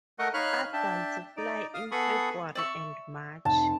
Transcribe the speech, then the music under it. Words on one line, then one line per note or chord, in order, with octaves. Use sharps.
Adults fly in February and March.
A3 A#4 D#5 F#5 C#6
D#4 C#5 F5 B5 F6 F#6
D4 E5 G5 A5
D#4 D5
F5 D#6
B3 G#4 A4 B5 C#6 D#6
D5 E5 C#6
F1 A5